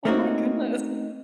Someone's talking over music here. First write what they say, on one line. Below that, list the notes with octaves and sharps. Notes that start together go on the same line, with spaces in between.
Oh my goodness.
A3 A#3 C4 C#4 D#4 F#4